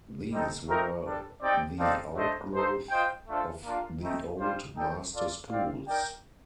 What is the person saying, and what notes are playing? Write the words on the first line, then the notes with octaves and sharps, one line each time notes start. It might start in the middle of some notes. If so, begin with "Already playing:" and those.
These were the outgrowth of the old master schools.
G3 C4 D#4 A4
A3 C4 D#4 A#4
G3 D4 A4
C4 D#4 G4 D5 G5
C4 D#4 A4 D5 F5
A3 D4 A4 C5 D#5
D#4 A4 C5
F4 C5 D#5 G5
A3 D4 F4 A4 C5
A#3 D4 F4
A3 C4 D#4
G3 D4 F4 C5
D#4 A4 D5 G5
F4 A4 D5
C4 G4 D5 F5
D#4 A#4 D5 G5